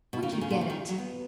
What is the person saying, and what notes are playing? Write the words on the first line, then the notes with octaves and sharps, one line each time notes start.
"Where'd you get it?"
B2
C#3
D#3
C#3
A#2
C#3
D#3
F#3
B3